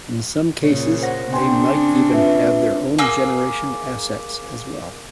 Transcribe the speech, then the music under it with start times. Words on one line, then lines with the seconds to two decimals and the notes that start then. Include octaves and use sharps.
In some cases they might even have their own generation assets as well.
0.64 A#2 C#3 C#5
1.02 C5 F#5 A#6
1.33 C#3 C4 D4 G5 G#5 C6
2.10 F4 B4 E5
2.99 A#3 G#4 E6